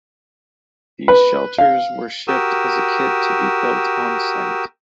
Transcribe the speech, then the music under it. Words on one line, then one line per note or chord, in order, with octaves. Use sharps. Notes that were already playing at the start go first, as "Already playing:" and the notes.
These shelters were shipped as a kit to be built on site.
B4
F5
F#4 G4 A#4 D#6 E6